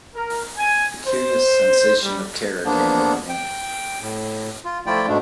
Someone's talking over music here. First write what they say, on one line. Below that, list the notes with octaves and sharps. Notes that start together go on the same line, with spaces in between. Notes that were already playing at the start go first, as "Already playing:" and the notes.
A curious sensation of terror came over me.
A#4
G#5
C5
G3
E2 F3 A#3 B3 D4
G5
A2
F4
F3 A3 E4 F4 D5 G5
G#2 B2 A3 D4